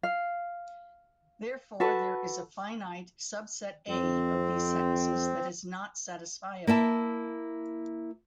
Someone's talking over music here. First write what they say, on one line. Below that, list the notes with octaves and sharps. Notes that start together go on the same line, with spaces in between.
Therefore, there is a finite subset "A" of these sentences that is not satisfiable.
F5
F#4 A4 B4 A5
F2 C4
A#3 E4 E5 A5